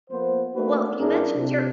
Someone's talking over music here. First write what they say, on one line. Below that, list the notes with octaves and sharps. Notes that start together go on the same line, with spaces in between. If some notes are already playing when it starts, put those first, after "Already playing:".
Well, you mentioned your
F3 A#3 B3 C5
A3 A#3 D4 D#4 F#4 B4
F#2 D4 E4 G#4 A#4
C3 D4